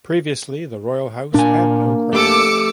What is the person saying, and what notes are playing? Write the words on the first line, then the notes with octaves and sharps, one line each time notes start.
Previously, the Royal House had no crown.
A#2 A#3 D4 G#5
A3 G4 A4 D6 E6 C#7